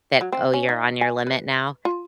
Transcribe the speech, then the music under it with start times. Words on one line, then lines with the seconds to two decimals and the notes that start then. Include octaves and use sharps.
that, "Oh, you're on your limit now."
0.21 F#3
0.32 C4
0.53 C#4
0.69 D#4
1.01 G#5
1.27 B4
1.85 F4